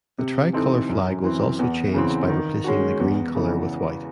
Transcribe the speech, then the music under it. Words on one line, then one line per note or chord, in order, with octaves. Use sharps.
The tri-color flag was also changed by replacing the green color with white.
C3
E3 C4 D#4 A4
F#2
E3 C4
E2
C#3 E3 C4
D#3
G#3 C#4 F#4
E2
C#3 E3